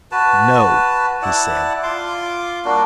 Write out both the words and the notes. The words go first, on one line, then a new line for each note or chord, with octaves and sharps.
"No!" he said.
F#4 B4 A5
E4 D5 F#5 A5
F4 C6 D6
G3 A#3 D4 F#4